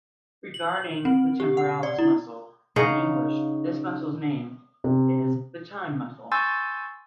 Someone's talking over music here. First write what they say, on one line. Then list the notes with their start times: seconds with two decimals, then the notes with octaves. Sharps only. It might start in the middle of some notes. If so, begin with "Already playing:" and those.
Regarding the temporalis muscle: in English, this muscle's name is the time muscle.
0.54 F#7
1.05 C4
1.40 G4
1.57 F#5
1.83 D5
1.99 E4
2.76 C#3 D#4 F5 F#5
4.84 C3
6.32 G#5 C6 C#6 E6 G6 A6